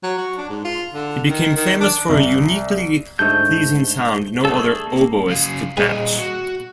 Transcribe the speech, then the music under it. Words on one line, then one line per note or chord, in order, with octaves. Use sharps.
He became famous for a uniquely pleasing sound no other oboist could match.
F#3
F#4
D4
G#2
F4
D3
D#3
D#3
D4
C2 E5
G#2 D3 A3 G6
G3 A3 D4 G#4 A4
A#3
F#2 C#3 F5
A#2 G3 G#4 B4 D#5
F#4